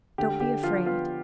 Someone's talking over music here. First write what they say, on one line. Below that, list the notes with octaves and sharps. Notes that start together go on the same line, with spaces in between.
'Don't be afraid.
D3 G4
D3 G4
F3 F4
B3 F4